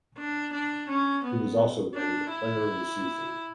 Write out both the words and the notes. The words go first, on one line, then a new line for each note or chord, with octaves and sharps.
He was also named player of the season.
D4
D4
C#4
B3
D4
E4